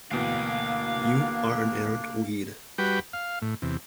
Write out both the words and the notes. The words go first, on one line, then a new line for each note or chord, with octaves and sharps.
You are an errant weed.
D2 B2 E3 A#3 D4 F5 G5
G3 F#4 B4 G5
F5
A2
E2 C3